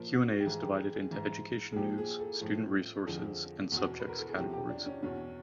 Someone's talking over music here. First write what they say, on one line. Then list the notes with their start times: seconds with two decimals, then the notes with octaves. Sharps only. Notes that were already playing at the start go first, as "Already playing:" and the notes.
Q and A is divided into "Education news," "Student resources" and "Subjects" categories.
Already playing: A#2 F3 A#4
0.13 F#4
0.40 G4
0.46 G#2 E3 G#4
0.63 G4
0.95 G#4
1.11 G#2 E3
1.72 G#4
1.76 A#2 F3 G4
1.98 G#4
2.20 A4
2.41 A2 F3
3.07 F2 D3 F3 G#4
3.72 E2 B2
4.00 B4
4.09 A#4
4.18 A4
4.28 G#4
4.37 E2 C3 F3 G4
4.53 G4
4.69 D4
4.86 C#4
5.03 E2 B2 C#4